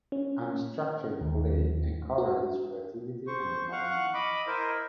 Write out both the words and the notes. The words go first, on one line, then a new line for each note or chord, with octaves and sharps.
Unstructured play encourages creativity and imagination.
C#4
D#2
F#4
C5 C#6
F5 F#5 C#6
D#5 B5 D6
E4 A#4 C5 D#5 E5